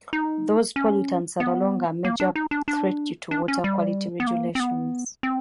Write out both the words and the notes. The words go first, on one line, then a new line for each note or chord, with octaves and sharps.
Those pollutants are no longer a major threat due to water quality regulations.
D#4
C#4
B3
A#3
D4
D#4
D4
D4
D4
C#4
G3
B3
A#3
C4
B3
C4